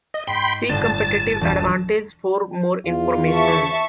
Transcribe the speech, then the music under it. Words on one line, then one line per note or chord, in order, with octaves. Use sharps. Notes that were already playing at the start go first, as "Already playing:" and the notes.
See competitive advantage for more information.
D#5
G#2 G5 B5 C6
G1 A2 A5
E1 D#7
E2 F4
E5 A5 C#6